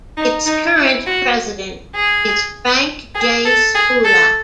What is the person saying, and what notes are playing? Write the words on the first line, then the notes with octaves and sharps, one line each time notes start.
Its current president is Frank J. Spula.
D#4
D#4
E4
F#4
G#4
G#4
A4
G#4
A4